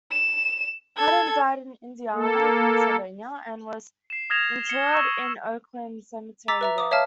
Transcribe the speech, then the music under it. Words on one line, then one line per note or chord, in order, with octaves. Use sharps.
Patton died in Indiana, Pennsylvania and was interred in Oakland Cemetery there.
E7
A4 G#6
A#3 A4
C7 E7
D#6 F6 G#6 A#6 E7 F7
C#7 F7 G7
C#6 E6 C#7 E7
A#5 D6 E6 A6 B6
B4 E5 A#5
D6 D#6
C#5 E5 F5 A5 F6